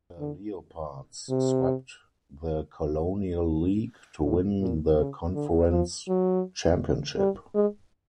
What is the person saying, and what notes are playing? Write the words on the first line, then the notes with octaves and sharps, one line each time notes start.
The Leopards swept the Colonial League to win the conference championship.
D3
C3
A2
A#2
C#3
D3
F3
F#3
G3
G#3